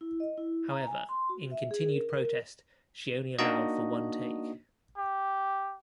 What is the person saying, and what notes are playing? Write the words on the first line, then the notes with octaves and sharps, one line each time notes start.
However, in continued protest, she only allowed for one take.
E4
D#5
E4
A#5
G#5
C6
F#4
E5
G#4
A#4
A#4
A#3 D4 D#4 F#4 D#5
G4